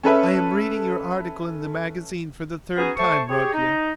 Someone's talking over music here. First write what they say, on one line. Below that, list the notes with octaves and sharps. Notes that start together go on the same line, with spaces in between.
I am reading your article in the magazine for the third time, Rodya.
C#4 A4 B4 E5
B3 C#4 D#4 F#4 G#4
A3 C5 A5 C#6
G4 G#4 C#5
D#4